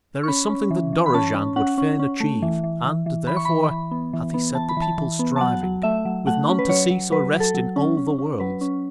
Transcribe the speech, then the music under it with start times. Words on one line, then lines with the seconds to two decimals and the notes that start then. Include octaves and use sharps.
There is something that Dorozhand would fain achieve, and, therefore, hath he set the people striving, with none to cease or rest in all the worlds.
0.23 C#6
0.28 C#4 B5
0.49 C#4
0.71 E3
0.93 E3
1.06 B5
1.14 C#4 A5
1.34 C#4
1.56 C#4 F#5
1.78 C#4
1.99 C#4
2.20 A3
2.42 E3
2.64 E3
2.84 E3
3.06 E3
3.27 E3 B5
3.36 C#6
3.45 E3 B5
3.71 E3
3.91 B3
4.13 E3
4.34 B3
4.55 E3 A5
4.69 B5
4.77 E3 A5
4.98 E3
5.19 B3
5.36 A5
5.41 F#3 F#5
5.63 F#3
5.83 A3 E5
6.05 F#3
6.27 A3 F#5
6.48 C#4
6.59 B4
6.69 F#3 C#5
6.90 F#3
7.12 F#3 B4
7.33 F#3
7.40 A4
7.54 F#3
7.76 C#4
7.97 C#4
8.18 C#4
8.40 F#3 B4
8.61 C#4